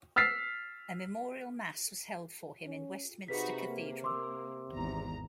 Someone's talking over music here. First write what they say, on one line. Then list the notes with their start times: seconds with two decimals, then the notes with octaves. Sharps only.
A memorial mass was held for him in Westminster Cathedral.
0.16 E6 F6 A6 B6 C7
2.66 C#4
3.28 C3 D#4 F#4 G#4 B4 B5 B6
3.65 A#3
4.04 C6 D6 E6
4.73 G#1 E2 A#5